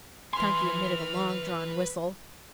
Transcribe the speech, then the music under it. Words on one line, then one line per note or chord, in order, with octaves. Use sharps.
Chunky emitted a long-drawn whistle.
E3 B4 G#5 C6 F6